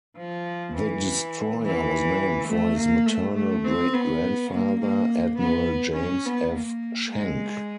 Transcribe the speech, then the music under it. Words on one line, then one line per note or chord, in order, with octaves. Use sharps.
The destroyer was named for his maternal great-grandfather, Admiral James F. Schenck.
F3
E3
E3
A3
A#3
A3
A3
C4
B3
A#3
A#3
B3
C#4
B3
A#3
G#3